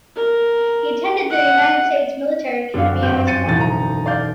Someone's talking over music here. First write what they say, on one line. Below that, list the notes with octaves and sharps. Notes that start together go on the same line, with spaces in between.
He attended the United States Military Academy at West Point.
A#4
F#5
F#2 D3 D5 F5
G2 C4 G6
C#4 C5 A6 C#7 D#7
E1 A1 D3 D#4 A6
A#5
D5 F5 G6